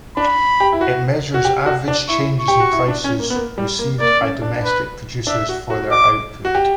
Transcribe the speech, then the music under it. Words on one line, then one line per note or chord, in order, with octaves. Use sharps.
It measures average changes in prices received by domestic producers for their output.
D4 B5
G4
E4
F#4
F#4
G4
F#4
D4
E4 C#6
C#6
G4
F#4
E4
D4
C#4
A#3
B3
A#3
G3
A#3
A#3 D5
C#4
D4
B4
D4 E5
F#4
F#4
D6
F#4
G4